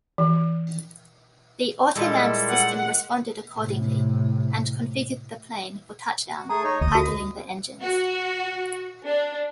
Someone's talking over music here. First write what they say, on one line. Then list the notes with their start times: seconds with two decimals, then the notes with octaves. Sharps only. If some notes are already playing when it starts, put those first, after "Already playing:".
The autoland system responded accordingly and configured the plane for touchdown, idling the engines.
0.18 E3
1.95 A#2 G3 G#3 E4 A4
2.49 F#5
3.58 A2 C3
6.37 F#4
6.49 A3 G#4 A#5 D#6
6.63 D#4 C#5
6.81 D2 D#5 D#6
6.95 F#4
7.82 F#4
9.04 D4